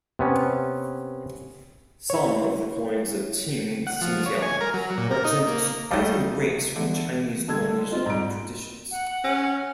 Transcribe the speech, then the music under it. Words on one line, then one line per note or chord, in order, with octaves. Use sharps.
Some of the coins of Qing Xinjiang represent surprising breaks from Chinese coinage traditions.
C3 B3 C#4
E4 C#5
F#5
F3
C#5
G#5
A#4
F#3
A#2
A#4
D#4
A#3
G3 A3 D#4 D#5
D3 E3 B3
D3 G3 G#3 A5 E6 G#6
C4 D#4 F4
G#2 G3 A#5 D7
F#5
C#4